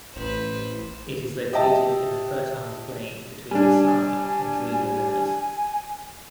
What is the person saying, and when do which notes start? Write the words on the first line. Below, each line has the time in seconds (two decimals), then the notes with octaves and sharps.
It is located in a fertile plain between the Sava and Drina rivers.
0.16 A1 B4 C5
1.53 G4 D#5 E5 G5 A5
3.51 G3 D4 G#5